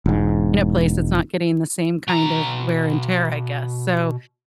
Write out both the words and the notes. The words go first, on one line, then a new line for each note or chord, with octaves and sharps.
place that's not getting the same kind of wear and tear, I guess, so
E1 G#2
B2 A#5